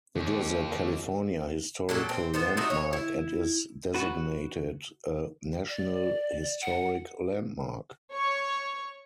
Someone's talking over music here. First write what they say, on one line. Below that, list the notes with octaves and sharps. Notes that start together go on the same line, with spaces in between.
It is a California Historical Landmark and is designated a National Historic Landmark.
D#2
A#2 F#3 A4
C4
B3 A4 C5
D#4 F#4 E5
C#5
E4
F#4 B4
D5
F#5
C#5 C#6